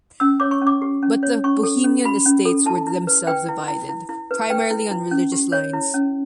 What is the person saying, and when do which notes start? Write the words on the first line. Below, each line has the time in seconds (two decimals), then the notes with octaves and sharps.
But the Bohemian estates were themselves divided, primarily on religious lines.
0.20 C#4 E6
0.40 C#5 D6
0.51 C#6
0.61 C#4
0.67 D6
0.82 G4
1.03 C#4
1.23 C#5
1.44 C#4 C#6
1.63 A4
1.84 C#4
2.04 F#4 B5
2.26 C#4
2.45 A4
2.66 E4 A5
2.87 E4
3.07 B4
3.27 B4 G5
3.49 E4
3.68 E4
3.89 E4
4.09 E4
4.31 B4
4.50 B4 G5
4.70 E4
4.91 E4
5.11 C#4
5.32 G4
5.52 C#5
5.73 E4
5.94 C#4